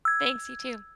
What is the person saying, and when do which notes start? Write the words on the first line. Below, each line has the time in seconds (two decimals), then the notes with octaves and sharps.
Thanks, you too.
0.05 E6 G#6